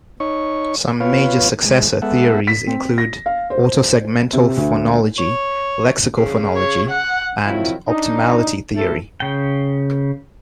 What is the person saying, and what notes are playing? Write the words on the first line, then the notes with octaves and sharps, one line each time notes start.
Some major successor theories include autosegmental phonology, lexical phonology and optimality theory.
D#4 C#5 C#6
B3 F4 B4 C#5 F5
G#3
G#3 B3 A4 E5 F#5
B6
C4
A#6
F5
C5
C3
D2
C#5
C#3
C#5
F#5
C3 D#3 F3 F#3 E4
D4 D#4
F2 F3 A3 B3 C#4 A4
C#3 G5